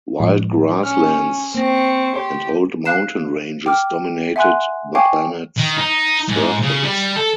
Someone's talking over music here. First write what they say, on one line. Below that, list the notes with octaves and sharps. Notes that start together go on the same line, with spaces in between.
Wild grasslands and old mountain ranges dominated the planet's surface.
A2 F3 G#3
C#4 F6
A#3 C4 C#6 A#6
G4 C#5 C6
F5 F#6 C7 E7
G5 D6 F6
E5 F#5 G#5 C6 F#6
C#5 F5 G5 G#5 C#6 D6
D#3
D#4
G#2
C#3
G3
A4